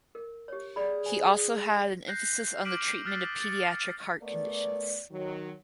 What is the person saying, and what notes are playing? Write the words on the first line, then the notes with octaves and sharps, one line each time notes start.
He also had an emphasis on the treatment of pediatric heart conditions.
A#4
G4 C#5
G#4 D5 B5
C5 G#5
F#6 G6 A#6 C7
D6 F6 B6 D7 D#7 F#7
D#6 F6 F#6 A6 B6 C7
A6 C#7
A3 B3 A#4 D5
D#3 F#3